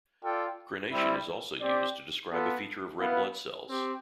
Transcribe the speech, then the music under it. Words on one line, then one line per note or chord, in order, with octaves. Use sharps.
Crenation is also used to describe a feature of red blood cells.
F4 A4 D5 G5
G3 C4 E4
C4 G4 D5
B3 F4 A4
B3 E4 B4 F5
C4 G4